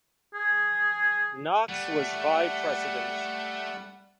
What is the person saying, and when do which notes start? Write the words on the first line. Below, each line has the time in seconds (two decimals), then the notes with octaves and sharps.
Knox was Vie President.
0.34 G#4
1.69 G3 A3 F#5